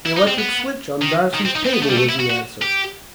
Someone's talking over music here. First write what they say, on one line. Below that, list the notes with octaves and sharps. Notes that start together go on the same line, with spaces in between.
"The electric switch on Darcy's table," was the answer.
E4
D#4
C4
B3
D#3
D#3
C4
D#4
C4
B3
A3
G3
A3
E4
F#4
F#4
G4